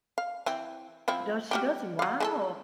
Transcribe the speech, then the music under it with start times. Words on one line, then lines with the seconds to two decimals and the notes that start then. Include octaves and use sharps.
Does she doesn't? Wow.
0.18 F5
0.46 E3 C4
1.08 F3 C4 E4
1.51 G3 F#4 G4
1.99 F#3 F5
2.20 G#3 G4 A4